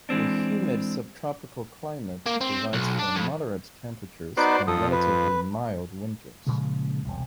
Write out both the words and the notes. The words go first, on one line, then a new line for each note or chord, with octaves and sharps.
The humid subtropical climate provides for moderate temperatures and relatively mild winters.
E3 G#3 C4 D4
A#3
C4
B1
D4
F2
B3 D#4 F#4 B4 C5 D5
F2 A4 D#6
B4
A#2 C#3 F3 G#3
E1 C2